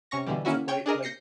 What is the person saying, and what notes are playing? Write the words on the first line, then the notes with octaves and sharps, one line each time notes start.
to play, like,
C3 C#4 C#6 A#6
B2 D3 E3 G3
D#3 A#3 C#4 E4 F#4
C#5 G5 G#6
D4 G#4 A#4 D#5
G6 A#6 C7 C#7